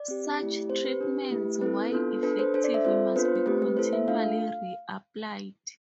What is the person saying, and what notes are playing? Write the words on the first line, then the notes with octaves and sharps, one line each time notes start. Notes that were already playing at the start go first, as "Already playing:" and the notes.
Such treatments, while effective, must be continually reapplied.
Already playing: D5
C4 G4
A3 E4 G4
C4 G4 C5
B4
D4 G4
A3 E4 G4
C4 E4 A4 B4
B3 D4 F4 A4
D4 A4 B4
C5
D4 A4 C5
D5
E5
C4 F4 A4 C5
B3 D4 F4 B4
C5
B4
A3 C4 G4 B4
B4
A3 E4 A4 C5
E5
A3 D4 F4 A4 F5